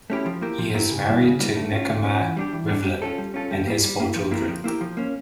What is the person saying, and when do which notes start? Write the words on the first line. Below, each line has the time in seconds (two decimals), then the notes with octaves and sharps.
He is married to Nechama Rivlin, and has four children.
0.10 A3 C#4 E4 G4
0.26 F3
0.41 A#3 E4 G4 A#4
0.59 F3
0.74 A#3 E4 G4 A#4
0.91 C#3
1.07 G3 A#3 E4
1.23 C#3
1.39 G3 A#3 E4
1.56 A3
1.72 C#4 F4
1.88 A3
2.05 C#4 F4
2.21 E3
2.36 G3 D4 G4
2.52 E3
2.69 G3 D4 G4
2.85 G3
3.02 C#4 F4 A4
3.18 G3
3.34 C#4 F4 A4
3.51 G3
3.67 A#3 E4
3.83 G3
4.00 A#3 E4
4.16 F3
4.31 A#3 E4 G4 A#4
4.48 F3
4.64 A#3 E4 G4 A#4
4.81 F3
4.97 A#3 C#4